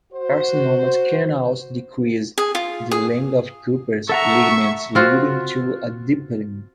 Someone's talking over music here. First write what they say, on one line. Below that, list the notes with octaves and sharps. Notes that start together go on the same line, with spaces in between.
Carcinomas can also decrease the length of Cooper's ligaments leading to a dimpling.
F#4 C5
G#4
F4
G#4
A4 E5 F#5 A#5 C#6
C4 F4 F#4